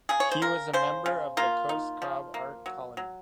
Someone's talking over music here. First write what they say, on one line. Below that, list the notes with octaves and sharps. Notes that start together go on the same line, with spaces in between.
He was a member of the Cos Cob Art Colony.
C#3 G#4
C#5
C5
C#3 A#4
C#3 C5
C#3
A#3 F4
D#4
F3
A#3
F#3
F#3